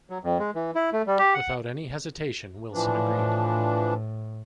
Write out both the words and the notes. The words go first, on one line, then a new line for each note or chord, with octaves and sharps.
Without any hesitation Wilson agreed.
F#3
F2
G#3
E3
E4
A3
G3
G4
F#5
A2 E3 F3 D4